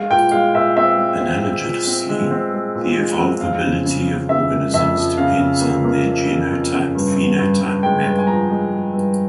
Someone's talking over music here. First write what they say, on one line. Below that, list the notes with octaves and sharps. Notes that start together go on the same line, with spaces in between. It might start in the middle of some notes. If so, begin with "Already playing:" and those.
Analogously, the evolvability of organisms depends on their genotype-phenotype map.
Already playing: G#3 F5
A#2 G5
G#3 F5
A#2 E5
C4 E5
G#3
C4
G#3
A#2
C4
G#3
C4
G#3
A#2
G#3
C4
F2 F5
C#3
C#3
C#3
C#3 E5
A#3
F2 E5
F3
C#3 F5
C#3
A#3
A#3
F3
C#3
F2
C#3
G2
G2
G2
G2
G#3 G5
G2
G#5
F3 A#5
G#3
G#3
G2